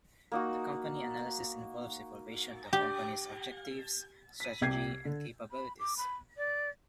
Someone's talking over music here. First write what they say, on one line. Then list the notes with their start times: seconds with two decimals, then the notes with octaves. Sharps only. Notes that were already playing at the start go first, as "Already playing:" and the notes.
The company analysis involves evaluation of the company's objectives, strategy, and capabilities.
0.32 A#3 D#4 F#4
2.73 G4
4.40 B6 D#7
4.61 C2 C3 G4 G#6 C7
5.05 D3
5.52 B5
5.79 D6
5.97 B5
6.37 D5